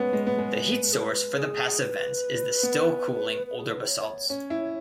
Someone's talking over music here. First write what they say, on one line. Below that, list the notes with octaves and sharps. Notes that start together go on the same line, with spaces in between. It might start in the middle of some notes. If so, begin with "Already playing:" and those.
The heat source for the passive vents is the still-cooling older basalts.
Already playing: G#3 B3 C#4 B4
G#3
B3
G#3
G#4
B4
G#4
B4
B3
B4
G#4
B4
C#5
C#4 C#5
E4